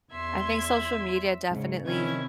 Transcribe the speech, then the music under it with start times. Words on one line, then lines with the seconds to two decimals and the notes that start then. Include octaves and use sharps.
I think social media definitely
0.11 E2 E5 C6 G#6
1.50 G#2 C#3
1.84 C3 D#3 C#4 E4 G#6